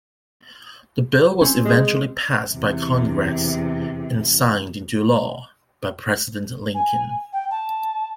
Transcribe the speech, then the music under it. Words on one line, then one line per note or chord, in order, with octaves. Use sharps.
The bill was eventually passed by Congress and signed into law by President Lincoln.
C4 C#4
G#3
E2 C3
G#5
G5
A5